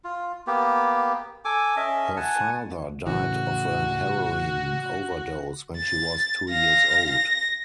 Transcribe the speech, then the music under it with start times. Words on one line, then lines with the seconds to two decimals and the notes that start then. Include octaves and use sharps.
Her father died of a heroin overdose when she was two years old.
0.04 F4
0.47 A#3 B3 G4
1.45 A4 G#5 D6
1.77 C#4 A4 D#5 E5
2.16 F#5 G#5 A5
3.07 A2 C#3 E3 F#4
5.77 A6
6.51 F5 A#6
7.10 A#6